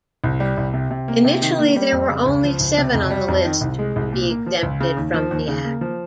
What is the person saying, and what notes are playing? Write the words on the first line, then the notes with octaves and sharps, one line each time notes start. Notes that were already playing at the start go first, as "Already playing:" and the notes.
Initially there were only seven on the list to be exempted from the act.
C2
G3
C2
C3
C3
A#3
C3
D#3
A#3
G3
F2
C#3
C#2
F3
C#2
C3
F2
G3
F2
D#3
C2
G#3
C2
A#2
A#3
F3
C#2
C#3
D#2
F3
D#2
C#3
A#3
F3